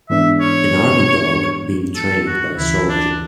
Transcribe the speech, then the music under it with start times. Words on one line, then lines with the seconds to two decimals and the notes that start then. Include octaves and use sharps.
An Army dog being trained by a soldier.
0.10 G#2 E3 G#3 B3 D4 E5
0.40 C#5
1.96 A4
2.27 F#4
2.58 D2 C#3 E3 E4
2.89 D4